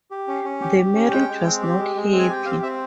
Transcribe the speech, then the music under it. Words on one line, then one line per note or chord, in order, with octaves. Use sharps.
The marriage was not happy.
G4
C#4
C#4
G4
G4
C#4
G#3 G5
G#3
C4
G4
G#3
G#3
C4
G#5
G4 G5
C4 F5
C4 E5